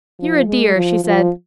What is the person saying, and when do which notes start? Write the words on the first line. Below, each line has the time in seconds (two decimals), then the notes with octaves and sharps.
'You're a dear,' she said.
0.19 F3
0.48 G#3
0.76 F3
1.04 F3